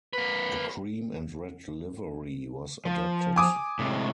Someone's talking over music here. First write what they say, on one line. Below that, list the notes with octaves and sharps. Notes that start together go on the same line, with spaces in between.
A cream and red livery was adopted.
A#3 B4
F3
G#5 D6 D#6
A2 C3 G#3